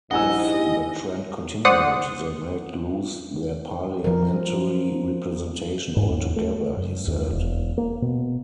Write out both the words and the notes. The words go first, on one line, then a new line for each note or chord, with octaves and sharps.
If the trend continued, they might lose their parliamentary representation altogether, he said.
A#1 G#2 E4 G4 D#5 F#5 G#5 E6
C5 D5 F#5 D#6
F3 A#4
G#2
D#2
A3
F#2
D#2
E1
A#3
B2